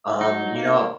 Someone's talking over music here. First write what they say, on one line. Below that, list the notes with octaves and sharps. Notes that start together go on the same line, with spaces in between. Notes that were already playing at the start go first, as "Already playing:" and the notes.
Um, you know
F#3 D#4
A#3